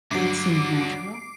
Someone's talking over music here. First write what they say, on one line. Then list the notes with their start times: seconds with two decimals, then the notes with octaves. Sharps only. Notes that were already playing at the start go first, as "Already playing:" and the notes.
That seems natural.
0.11 D2 G2 D3 F#3 D6 C7 D7